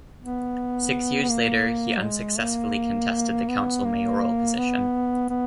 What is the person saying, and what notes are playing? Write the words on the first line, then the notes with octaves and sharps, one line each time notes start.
Six years later he unsuccessfully contested the council mayoral position.
B3
B3
A#3
F#3
G#3
A#3
B3
A#3
B3
B3